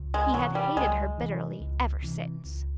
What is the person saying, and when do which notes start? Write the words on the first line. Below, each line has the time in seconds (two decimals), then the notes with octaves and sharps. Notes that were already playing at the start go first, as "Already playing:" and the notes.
He had hated her bitterly ever since.
Already playing: C#2
0.14 G#3
0.34 C3 E3 F#3
0.55 G3
0.76 C#2 G#3
1.18 C3 E3
1.60 C#2
2.03 C3 E3
2.45 C#2